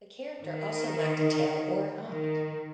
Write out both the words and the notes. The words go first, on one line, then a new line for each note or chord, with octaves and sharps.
The character also lacked a tail or hump.
D#3
D#3